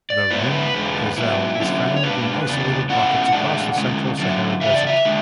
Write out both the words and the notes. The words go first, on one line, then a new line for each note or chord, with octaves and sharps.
The rhim gazelle is found in isolated pockets across the central Sahara Desert.
D5
G#2 G#3 B3 E4 B4
C#5
B4
E2 D3 G#3
G#2 F#3 B3 E4
D3 F#3 C#4 E4
C#5
G#2 G#3 D4 B4
E2 C#3 B3 D4
B2 A3 C#4 E4 F#5
A2 E3 G#3 D4
D3 G#3 C#4
D3 F#3 C#4 E4
C#3 E3 E5
D5
E5
D3 G#3 D4